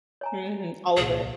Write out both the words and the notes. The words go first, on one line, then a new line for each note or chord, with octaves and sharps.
mhm, all of it.
C#5 G#5 A#5
D1 C2 A#2 G#4